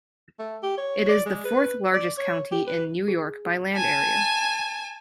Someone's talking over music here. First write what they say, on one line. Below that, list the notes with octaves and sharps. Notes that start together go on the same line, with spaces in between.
It is the fourth-largest county in New York by land area.
A3
G4
C#5
D5
G#3
B4
D5
C#5
G4
B4
G#4
G#5 A5